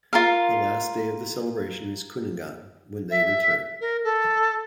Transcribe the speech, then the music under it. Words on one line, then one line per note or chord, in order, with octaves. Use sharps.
The last day of the celebration is Kuningan, when they return.
F4 A#4 F5
E5
A#4
A4